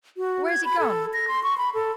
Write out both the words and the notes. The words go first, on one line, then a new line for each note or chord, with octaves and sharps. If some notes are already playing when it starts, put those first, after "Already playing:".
Where's he gone?
F#4
G#6
B5
A4
A#6
C6
C#6
B5
A4